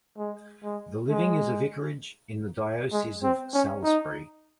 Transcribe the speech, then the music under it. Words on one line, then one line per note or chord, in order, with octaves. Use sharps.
The living is a vicarage in the diocese of Salisbury.
G#3
G#3
G#3
G#3
C4
C#4
D#4